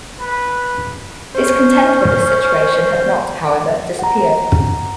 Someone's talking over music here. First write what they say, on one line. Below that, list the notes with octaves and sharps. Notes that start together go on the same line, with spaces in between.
Discontent with this situation had not, however, disappeared.
B4
C#4 C5
F#5 A#5